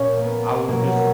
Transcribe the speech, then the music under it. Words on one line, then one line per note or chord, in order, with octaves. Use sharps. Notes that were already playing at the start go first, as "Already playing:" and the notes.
I was just
Already playing: A#2 C#4
A#3
B3
B2 F#3 A#3